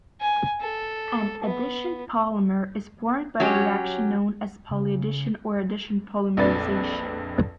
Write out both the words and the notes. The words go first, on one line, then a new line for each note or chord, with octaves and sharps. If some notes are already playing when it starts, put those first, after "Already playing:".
An addition polymer is formed by a reaction known as polyaddition or addition polymerization.
G#5
A4
B3
F#3 C#4 G4
C#3
A#1 F2 D4 B4 D5 A6